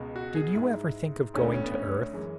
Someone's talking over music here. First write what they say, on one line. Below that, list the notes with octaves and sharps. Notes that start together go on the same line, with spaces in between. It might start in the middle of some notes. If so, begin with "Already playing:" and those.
"Did you ever think of going to Earth?"
Already playing: C#2 B2 G#3
F#4
G#4
G#2 G#3 E4
D2 D3 A3 C#4
B3
C#4
B3
C#4
F#2 E3 G#3